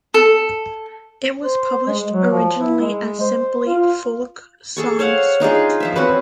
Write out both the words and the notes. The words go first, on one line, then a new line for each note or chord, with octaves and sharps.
It was published originally as simply Folk Song Suite.
A4
C5
G#3
F#3
F3
E4
G#3
C5
F4
G#4 A4 C#6
C5 C#5 F5 F#5
D4 D#4 F4 G#4
F3 C5 E5
C4 C#4 F#4 B4